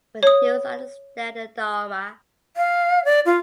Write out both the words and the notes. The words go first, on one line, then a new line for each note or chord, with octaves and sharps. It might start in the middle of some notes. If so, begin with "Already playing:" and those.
When he was understand the Dharma.
C#5 D#6
F5
D5
F4